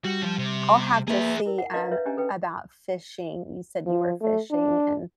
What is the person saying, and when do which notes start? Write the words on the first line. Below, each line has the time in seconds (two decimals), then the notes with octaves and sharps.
I'll have to see, um, about fishing. You said you were fishing, and
0.05 G3 F#4
0.23 F3
0.38 C3
1.08 A#3 G#4 B4 E5
1.46 E4 A#4
1.58 F#5
1.73 D4 B4 C#5 D#5 F5 A#5
1.91 B4 C#5 E5 A#5
2.05 C#4 D4 G4 D#5 G#5 A#5
2.17 A4 B4 G5
3.86 F3
4.21 A3
4.51 D4